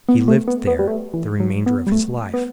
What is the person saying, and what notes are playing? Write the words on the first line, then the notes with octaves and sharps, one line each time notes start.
He lived there the remainder of his life.
B3
A3
B3
B3
G3
A3
E3
F#3
B3
G3
A3
B3